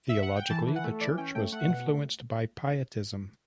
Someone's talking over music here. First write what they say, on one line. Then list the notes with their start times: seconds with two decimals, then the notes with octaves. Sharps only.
Theologically, the church was influenced by pietism.
0.09 E5
0.23 F#5
0.36 G5
0.50 E3 A5
0.67 E3
0.76 F#5
0.84 A3
1.01 E3 D5
1.17 C#4 G5
1.35 A3 G5
1.52 A3 F#5
1.69 B2
1.87 A3